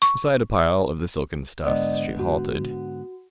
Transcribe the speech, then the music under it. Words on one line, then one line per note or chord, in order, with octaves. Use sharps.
Beside a pile of the silken stuffs she halted.
C#6
G#2 D3 B3 D5 D#5
F#4